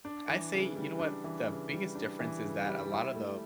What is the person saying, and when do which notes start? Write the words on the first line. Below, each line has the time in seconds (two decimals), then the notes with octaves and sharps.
I say you know what? The biggest difference is that a lot of the
0.05 D4
0.28 E3
0.52 C#3
0.76 G3
0.99 D4
1.24 E3
1.48 C#3
1.72 G3
1.95 D4
2.20 E3
2.44 C#3
2.68 G3
2.92 E4
3.15 A3